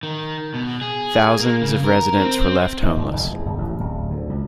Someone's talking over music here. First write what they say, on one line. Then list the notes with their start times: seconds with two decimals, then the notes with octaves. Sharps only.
Thousands of residents were left homeless.
0.03 D#3
0.54 B2
0.82 G#4
1.39 A#3
1.62 C#3
1.84 A#4
2.20 C4
2.83 D#3
2.97 G1
3.13 F1
3.31 E2
3.46 G1
3.58 A1
3.80 D1
4.10 D2
4.30 C#2